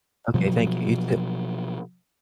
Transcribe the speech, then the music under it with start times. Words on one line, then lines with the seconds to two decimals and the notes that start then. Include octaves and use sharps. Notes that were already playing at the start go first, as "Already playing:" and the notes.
Okay, thank you, you too.
0.34 B2 F3 F#3